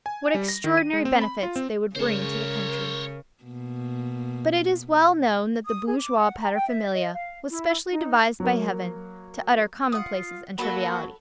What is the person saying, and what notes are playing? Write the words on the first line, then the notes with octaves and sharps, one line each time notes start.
What extraordinary benefits they would bring to the country!' But it is well known that the bourgeois paterfamilias was specially devised by Heaven to utter commonplaces and trivialities.
G#5
G3
A#6
D#3
D#7
G#3
C4
B5
F4
C4
C#3 G#3 C#4 A#4 C5 C#5
B2 A#3
D#6
G#4
D6
F#5
A#5
G5
E5
D#5
F5
E4
D#4
F#3 A#3
F4 F#5 D#6
F#3 A#3 F#4 A4 F#5 B5